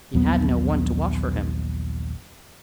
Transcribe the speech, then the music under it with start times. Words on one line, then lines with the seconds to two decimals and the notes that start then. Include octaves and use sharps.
He had no one to wash for him.
0.14 A#1 D#2 F#3 B3